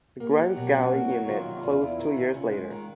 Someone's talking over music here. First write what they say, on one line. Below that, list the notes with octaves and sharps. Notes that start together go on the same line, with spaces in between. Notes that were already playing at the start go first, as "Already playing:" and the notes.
The Grimes Galley unit closed two years later.
A#3 G4
F#3
B2
C#4 F#4
A#3
F#3
D#3 F4
C3
E2
E2 E4
D#3
C3
C#4 F4
G#3
D#3